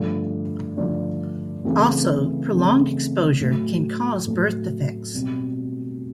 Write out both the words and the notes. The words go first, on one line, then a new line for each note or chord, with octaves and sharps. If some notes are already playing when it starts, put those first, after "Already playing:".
Also, prolonged exposure can cause birth defects.
Already playing: G2 D3 F3 A3 D4
G2 D3 F3 A3 D4
C#3 E3 A3 C4
C#3 E3 A3 C4
A2 F#3 A3
A2 F#3 A3
B2 G3 C4